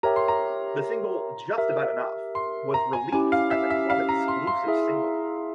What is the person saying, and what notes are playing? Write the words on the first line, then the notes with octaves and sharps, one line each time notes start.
The single "Just About Enough" was released as a club-exclusive single.
G4 A#4 C#5 E5 G5 A#5
C6
A#5
G4 A#4 E5
C6
A#5
G#5
C#4 E4 G4 G#5
F5
E5
E5
F5
A#5
C6
C6
E4 G#4 E5